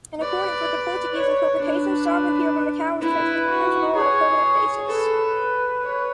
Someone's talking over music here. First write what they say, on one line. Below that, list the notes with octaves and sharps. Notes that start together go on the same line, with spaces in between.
In accordance with the Portuguese interpretation, sovereignty over Macau was transferred to Portugal on a permanent basis.
B4 D5
C#5
D4 B4
E4 B4
F#4
G#4 C#5
A4 B4
C#5